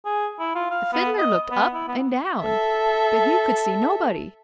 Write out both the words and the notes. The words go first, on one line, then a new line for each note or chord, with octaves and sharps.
The Fiddler looked up and down, but he could see nobody.
G#4
E4
F4
F5
B3
D#5
B3
E4
B3
A4 E5